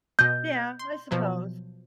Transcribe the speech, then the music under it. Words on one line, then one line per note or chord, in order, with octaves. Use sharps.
Yeah, I suppose.
B2 D#5 G6
C6
B2 F3 F#3